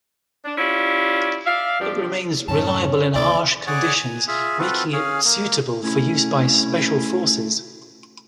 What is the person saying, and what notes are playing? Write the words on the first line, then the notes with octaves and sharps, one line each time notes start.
It remains reliable in harsh conditions, making it suitable for use by special forces.
D4
C#4 E4 F4 G4 D5
D5 E5 F5
G2 F3 D4 G4
F#2 A2 C3 C#4 A5
D2 C#3 B3 E4 D5
G#4 C#5 D5 F#5 C#6 D6
G#5
F4 G#4 E5
C4 F4 F#4 A4 B4
C#4 G#4 F5
A#3
A3 C#4 E4